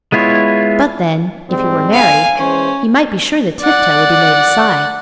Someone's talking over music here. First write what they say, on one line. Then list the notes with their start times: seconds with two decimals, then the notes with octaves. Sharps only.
But then, if he were married, he might be sure that Tifto would be laid aside.
0.12 G#3 B3 E4 F4 C#5
1.49 G#2 G3 C4
1.93 F5 G#5
2.37 E3 G#3 C#4 C5
3.61 D5 F#5